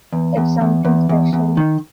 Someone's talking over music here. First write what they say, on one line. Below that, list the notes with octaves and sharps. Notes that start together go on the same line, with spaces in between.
It's something special.
E2
E2
E2
E2
E2
E2
D#3